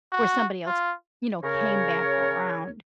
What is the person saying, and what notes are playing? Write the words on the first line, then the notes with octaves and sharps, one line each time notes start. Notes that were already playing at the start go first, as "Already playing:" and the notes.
where somebody else, you know, came back around.
F#4
F4
C#3 A#4 C#5